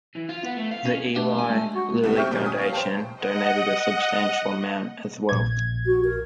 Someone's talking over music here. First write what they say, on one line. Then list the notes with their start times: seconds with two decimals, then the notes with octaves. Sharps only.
The Eli Lilly Foundation donated a substantial amount as well.
0.15 E3
0.29 F4
0.45 B3
0.57 A3
0.71 F5
0.85 C#4
1.16 A3 B3 D4 G4
1.34 G3 G#5
1.50 G#3 A3
1.74 F#4
2.04 C2 D3 G3 B3
2.15 C4 G4 E5 C#6 F6 G6
2.31 A#2 F3 G3 C#4
2.46 G#5 D#6
2.58 C#5 F5
2.73 C5 G5 A5
3.16 D#5 F#5
5.29 A#1 G#6
5.86 F#4
6.04 A#4